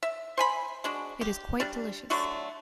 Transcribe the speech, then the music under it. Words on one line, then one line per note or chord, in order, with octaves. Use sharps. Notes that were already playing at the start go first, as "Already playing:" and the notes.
It is quite delicious!
E5
C5 G#5 B5
G#3 D4 F#4
G4
G3 D4
D3 F#3 A3 F#4